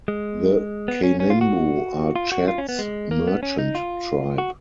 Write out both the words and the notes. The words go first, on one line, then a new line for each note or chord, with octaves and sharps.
The Kanembu are Chad's merchant tribe.
G#3
B3
C#4
C#4
F4
F#4
F4
F#4
F4
C#4
B3
G#3
A#3
B3
C#4
D#4
F4
F#4